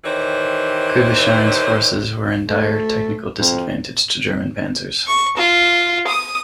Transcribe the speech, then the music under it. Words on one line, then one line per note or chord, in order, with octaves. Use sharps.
Krivoshein's forces were in dire technical disadvantage to German panzers.
D#3 E3 G4 C5 C#5
A3
F2
C#6
F4
D#6